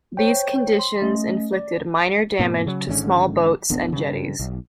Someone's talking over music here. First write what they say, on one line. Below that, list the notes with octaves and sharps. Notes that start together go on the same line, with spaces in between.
These conditions inflicted minor damage to small boats and jetties.
C5 C#5 G5
C6
A3 C#4 D#5
D5
G#2 B2 A#3 C4
C#3 F#3
G#1 G#2 D3 C#4
D1 A1 B3 D4
G2 C#3
B1